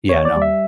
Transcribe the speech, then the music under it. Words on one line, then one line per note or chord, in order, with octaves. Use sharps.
Yeah, no.
D#2 C#5
D5
G3
E5